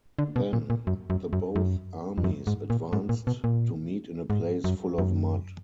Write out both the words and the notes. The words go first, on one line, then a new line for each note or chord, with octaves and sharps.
Then, the both armies advanced to meet in a place full of mud.
D3
B2
A#2
A#2
F#2
F#2
F#2
F#2
F2
F#2
G#2
A#2
G#2
A#2
B2
A#2
G#2
F#2
F#2